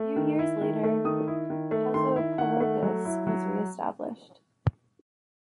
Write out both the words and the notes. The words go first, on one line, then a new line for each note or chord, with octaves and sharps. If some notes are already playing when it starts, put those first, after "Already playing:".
Few years later, Pezoporikos was re-established.
Already playing: A3
D#3
E4
D#3
A3
D#3 D#6
E4
D#3
A3
D#3 C6
E4
D#3 F#5
A3
F#3
E4
F#3